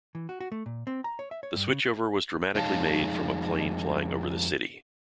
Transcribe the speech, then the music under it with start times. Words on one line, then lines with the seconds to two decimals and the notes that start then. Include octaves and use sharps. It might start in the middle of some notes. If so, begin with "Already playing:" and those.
The switchover was dramatically made from a plane flying over the city.
0.15 E3
0.29 F#4
0.40 F#4
0.52 A3
0.66 A#2
0.87 C4
1.04 A#5
1.19 C#5
1.31 E5
1.43 C#5
1.56 G2
1.68 C#3
2.55 F2 G#3 D#4 C#5 F5 A5